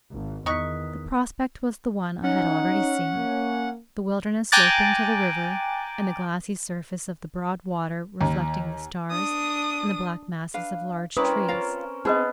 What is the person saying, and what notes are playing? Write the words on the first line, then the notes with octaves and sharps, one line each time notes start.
The prospect was the one I had already seen--the wilderness sloping to the river, and the glassy surface of the broad water, reflecting the stars, and the black masses of large trees.
G#1
E2 D#3 D#4 C#6 D#6 F#6 B6
C#4 D#4 F#5
A#3
G5 G#5 A#5 D6 F#6 A6
D#2
D4 D#6
D4 B4 F5
C4 C#4 E4 A#4 B4 D#6
F4 F5 A#5
B3 C4 D#4 G#4 B4 D#5